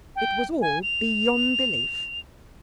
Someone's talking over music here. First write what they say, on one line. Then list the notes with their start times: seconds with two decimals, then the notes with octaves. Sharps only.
It was all beyond belief!
0.16 G5
0.61 G#5
0.83 F7